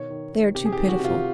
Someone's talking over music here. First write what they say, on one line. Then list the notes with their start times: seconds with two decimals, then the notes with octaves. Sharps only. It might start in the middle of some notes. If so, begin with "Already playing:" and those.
They are too pitiful.
Already playing: B2 D#3 C#5
0.10 D#3
0.33 D#3
0.55 C3 G4
0.65 G#4
0.72 D#3 G4
0.89 F#4
1.00 C3 F4